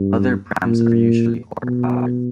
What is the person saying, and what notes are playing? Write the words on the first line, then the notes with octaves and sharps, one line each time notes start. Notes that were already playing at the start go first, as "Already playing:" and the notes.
Other prams are usually oar powered.
Already playing: G2
A#2
B2